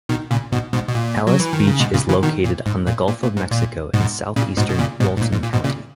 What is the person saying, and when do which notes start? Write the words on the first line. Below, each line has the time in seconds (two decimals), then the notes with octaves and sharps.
Alys Beach is located on the Gulf of Mexico in southeastern Walton County.
0.09 B2 D#3
0.31 A#2 C#3
0.52 G#2 B2
0.73 G#2 B2
0.88 B2
0.95 A#2
1.27 F#3
1.40 E3
1.53 D#3
1.67 C#3
1.80 G#2 B2
1.94 A#2 C#3
2.09 C#3 E3
2.23 B2 D#3
2.44 A#2
2.66 G#2
2.87 A#2
3.08 A#2
3.22 A#2
3.37 G#2
3.51 A#2
3.94 G#2 B2
4.36 A#2 C#3
4.57 G#2 B2
4.70 B2
4.79 A#2 C#3
5.00 G#2 B2
5.17 G#2
5.22 A#2
5.32 G#2
5.43 A#2
5.53 G#2 B2
5.64 A#2 C#3